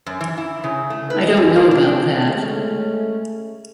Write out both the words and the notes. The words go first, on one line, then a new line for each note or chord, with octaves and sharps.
I don't know about that.
F#2
E3
E4
C#3
A3
B4
D#5
F#2
A#3
D4
G#3 A3 C#4